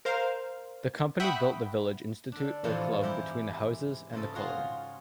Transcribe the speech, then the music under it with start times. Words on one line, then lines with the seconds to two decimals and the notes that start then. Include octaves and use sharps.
The company built the village institute or club between the houses and the colliery.
0.05 A#4 C5 F5
1.20 E5 F#5 G5 B5 C#6 D#6
2.32 D3 D4
2.64 A2 C3 E3 F3
3.01 G#2 G#3 E4 G4
4.13 G#2 C#3 A4
4.35 F4 F#4 G#4 C#5 F5